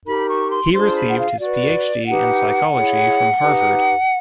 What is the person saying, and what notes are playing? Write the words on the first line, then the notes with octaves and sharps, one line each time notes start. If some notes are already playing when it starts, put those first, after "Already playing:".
He received his Ph.D in Psychology from Harvard.
D#4 G4 A#4 B5
C#6
C6
D4 F4 G#4 C5 C6
B5
F#5
F5
F#4 B4 D5
D#4 G4 B4 F#5
E4 G#4 C#5
D#4 G4 B4